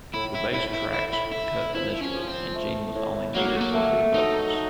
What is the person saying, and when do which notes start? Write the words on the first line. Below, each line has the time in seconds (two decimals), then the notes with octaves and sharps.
The bass tracks were cut initially, and Gene was only needed for lead vocals.
0.14 A2 E4
0.34 E4
0.53 A2 E4
0.73 E4
0.93 A2 E4
1.13 E4
1.32 A2 E4
1.75 F3 E4
2.01 C#4
2.15 F3
2.27 C4
2.55 A3
2.95 A2
3.35 F#3 A#3
3.56 A3
3.61 A#3
3.75 A3
4.14 F#3 D#4
4.55 A3